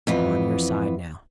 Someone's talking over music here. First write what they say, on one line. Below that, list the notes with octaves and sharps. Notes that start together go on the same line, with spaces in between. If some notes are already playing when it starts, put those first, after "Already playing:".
"I'm on your side now."
F2 E3 B3